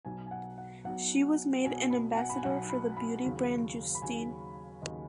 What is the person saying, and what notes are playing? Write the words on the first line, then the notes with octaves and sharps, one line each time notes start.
She was made an ambassador for the beauty brand Justine.
B1 B2 F#3 G#5
G#5
F#5
F#5
B1 B2 F#3 F#5
B1 B2 F#3 G#5
B5
G#5
F#5
B5
G#5
B1 B2 F#3 F#5
B5
B5
D#2 C#3 F#3
B5
D#2 C#3 F#3 G#5
D#2 C#3 F#3 D#5